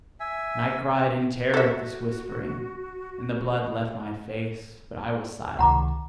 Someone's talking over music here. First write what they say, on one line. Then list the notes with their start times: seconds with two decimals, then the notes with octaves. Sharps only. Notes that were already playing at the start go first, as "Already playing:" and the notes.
And I cried in terror at this whispering, and the blood left my face: but I was silent.
0.20 E5 G#5
1.54 F#4 A4 E5
5.59 C#2 C3 D#3 F#5 A#5 D6